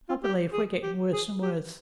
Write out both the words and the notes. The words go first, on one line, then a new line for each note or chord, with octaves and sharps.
I believe we're getting worse and worse.
F4
G4
G#4
G4
G#4
G4